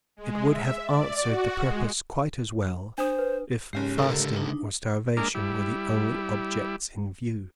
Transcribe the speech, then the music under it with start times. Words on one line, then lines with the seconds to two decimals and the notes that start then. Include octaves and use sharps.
It would have answered the purpose quite as well, if fasting or starvation were the only objects in view.
0.17 G#3
0.48 E5
0.85 D5
1.21 F#4
1.58 G#3
2.98 D4 C5 D#6
3.19 B4
3.73 F#1 G#2 C#4 G4 C7
3.98 C#2 D3 A4 A#4
4.36 D4 D#4
5.17 G#3 A#3 D4 A#4
5.35 G3 E4